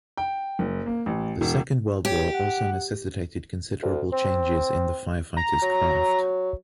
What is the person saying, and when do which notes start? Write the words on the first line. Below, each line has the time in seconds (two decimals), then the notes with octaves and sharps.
The second World War also necessitated considerable changes in the firefighters’ craft.
0.17 G5
0.59 F#1
0.86 A#3
1.06 A1
1.41 E1
2.05 G4 C#5
2.33 F#5
3.82 D2
4.13 C4
5.37 A#5
5.62 F#3